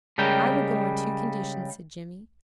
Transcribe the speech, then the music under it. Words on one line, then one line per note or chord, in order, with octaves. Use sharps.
"I will go on two conditions," said Jimmy.
C#3 G3 G#3 A#4 G5